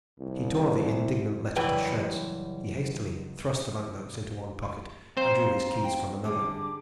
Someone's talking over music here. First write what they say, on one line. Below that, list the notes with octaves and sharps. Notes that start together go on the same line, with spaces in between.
He tore the indignant letter to shreds; he hastily thrust the bank-notes into one pocket and drew his keys from another.
C2
C#2 F#2 E3 G3 B4 G5
C4 C5 F5 A#5
F#4 G5
D3 G3 G#4 D6